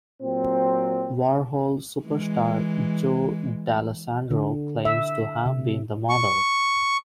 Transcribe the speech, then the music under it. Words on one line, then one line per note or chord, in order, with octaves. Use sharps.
Warhol "superstar" Joe Dallesandro claims to have been the model.
A#2 F#3 C4
E3 G#3
D3
E5
C3
C#6